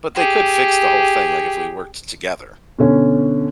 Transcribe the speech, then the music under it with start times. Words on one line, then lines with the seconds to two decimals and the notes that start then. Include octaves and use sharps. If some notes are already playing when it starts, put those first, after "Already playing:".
But, they could fix the whole thing, like if we worked together,
0.15 G4 G#4
2.79 B2 D3 C#4